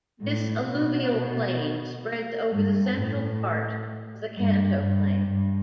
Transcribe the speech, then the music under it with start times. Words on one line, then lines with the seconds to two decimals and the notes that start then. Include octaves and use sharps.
This alluvial plain spreads over the central part of the Kanto Plain.
0.22 A2
0.68 B2
2.53 G2
2.99 A2
4.38 G2
4.85 G2
5.31 G2